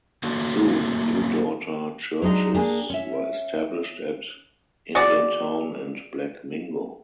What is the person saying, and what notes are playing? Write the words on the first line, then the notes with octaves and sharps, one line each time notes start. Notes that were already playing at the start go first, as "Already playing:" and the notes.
Soon new daughter churches were established at Indiantown and Black Mingo.
A3 A#3 C#4 F#4 A4
F#3 G#3 D4 D#4
A#3 D4 G4 G#4
C#4 E5
F#4 G#4 D5